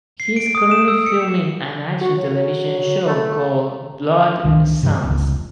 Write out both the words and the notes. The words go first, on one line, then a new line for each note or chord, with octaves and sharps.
He is currently filming an action television show called "Blood Psalms".
C7
D7
D#6
E7
E6
C#7
F#4
F#3
F#3
F#3
A3
C2 D#3 E3 D4
G2 C3 E3 G3
F1 C#2